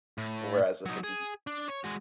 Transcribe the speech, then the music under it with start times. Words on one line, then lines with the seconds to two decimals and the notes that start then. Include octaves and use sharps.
whereas, like, if you
0.18 A2
0.86 F#3 D#4
1.04 G#4
1.47 D4
1.68 C#5
1.84 G#3 F#4